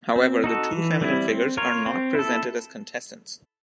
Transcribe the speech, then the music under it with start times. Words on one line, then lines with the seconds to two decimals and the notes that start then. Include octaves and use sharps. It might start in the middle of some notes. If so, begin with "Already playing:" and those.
However, the two feminine figures are not presented as contestants.
0.16 C4
0.44 D#4 F#4 A4
0.72 E3
1.01 G3 C4 E4
1.29 C4
1.57 F4 A#4 C#5
1.86 C4
2.15 E4 A4